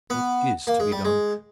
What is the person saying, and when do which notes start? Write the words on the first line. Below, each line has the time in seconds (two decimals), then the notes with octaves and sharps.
What is to be done?
0.10 B3
0.67 A#3
0.80 G#3
0.92 G3
1.05 G#3